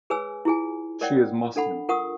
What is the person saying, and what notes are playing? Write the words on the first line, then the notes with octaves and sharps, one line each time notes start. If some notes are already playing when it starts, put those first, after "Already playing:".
She is Muslim.
G#4 B4 C#5 G#5 E6
E4 F4 G#4 G#5
A#4 C#5 D5 F#5 G5
D4 A4 F#5 B5
F4 A#4 F#5 C#6 D#6